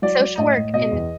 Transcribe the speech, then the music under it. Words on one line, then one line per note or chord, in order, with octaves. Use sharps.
social work and
F#3 D5
F#3
A2 D#5
A2
B2 D#5
E2